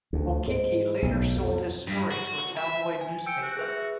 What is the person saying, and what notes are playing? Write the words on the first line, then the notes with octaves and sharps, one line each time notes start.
O'Keke later sold his story to a tabloid newspaper.
D2
G#2
B1
F2
G2
F#4
E5
G#5
G5 E6 G6 C#7
F#4
G#4 B4 E5